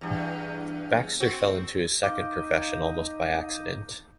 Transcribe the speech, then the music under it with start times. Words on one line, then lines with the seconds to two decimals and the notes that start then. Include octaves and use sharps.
Baxter fell into his second profession almost by accident.
0.01 E2 G2
1.20 C4 F#4
2.03 D#4 F5 D6 G6